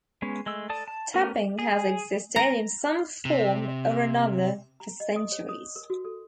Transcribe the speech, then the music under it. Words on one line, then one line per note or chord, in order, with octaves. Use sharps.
Tapping has existed in some form or another for centuries.
G#3 B3 C#4
G#3 A3 E6
A4 D5 A5 D#6
A5
A3 B3 C#4 A#4
G#4
A#5
C3
A#5
D#5
D#6
C#5
D#6
A#4
F#4
A4